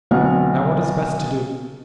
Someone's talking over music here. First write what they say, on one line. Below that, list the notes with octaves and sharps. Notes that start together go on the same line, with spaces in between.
Now what is best to do?
B1 B2 D3 C4 F#5 F6